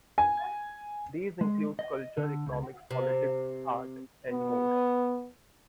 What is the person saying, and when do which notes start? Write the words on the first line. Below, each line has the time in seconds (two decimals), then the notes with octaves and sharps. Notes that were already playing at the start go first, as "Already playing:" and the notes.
These include culture, economics, politics, art, and more.
0.18 G#5
1.41 G#3
1.79 D#5
2.17 D3
2.46 C#2
2.91 C3
4.31 B3